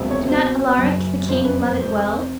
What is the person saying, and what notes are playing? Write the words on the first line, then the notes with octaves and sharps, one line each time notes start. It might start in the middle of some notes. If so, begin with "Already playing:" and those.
Did not Alaric the king love it well?
Already playing: E1 D2 C3 F3
C#5
C2 B2 C5
F#1 F#2 C#3
F#1 F2 C3 F3 C5
B4
C5
F1 F2 C3 C5